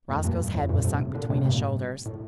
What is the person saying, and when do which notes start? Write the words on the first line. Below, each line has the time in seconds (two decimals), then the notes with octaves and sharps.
Roscoe's head was sunk between his shoulders.
0.09 F2 A2
0.24 G2 A#2
0.54 F2 A2
0.69 G2 A#2
0.84 A2 C3
1.15 A#2 D3
1.30 A2 C3
1.45 G2 A#2
2.06 A2